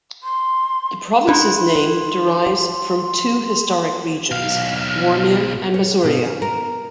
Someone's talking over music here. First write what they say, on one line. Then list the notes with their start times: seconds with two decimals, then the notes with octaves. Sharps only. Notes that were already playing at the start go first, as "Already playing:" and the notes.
The province's name derives from two historic regions, Warmia and Masuria.
0.23 C6
1.27 D#4 E4 B4 C6
4.31 B1 F5
5.74 C#5
6.04 B2
6.25 C#4
6.42 A#4